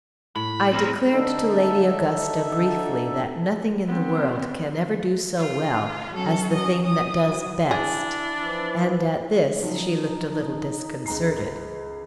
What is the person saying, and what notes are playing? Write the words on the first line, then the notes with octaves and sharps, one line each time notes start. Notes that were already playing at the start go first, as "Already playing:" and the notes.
I declared to Lady Augusta briefly that nothing in the world can ever do so well as the thing that does best; and at this she looked a little disconcerted.
A2 B5
C4 A#4
D3 D#4 A4 E5
B3 C4
F4
F#3 C#4 A4
D#5
D#6
F#3
D4 E4 G#4
E3 F3
C#3 F3 F#3 D#4
C#2 A#5 C7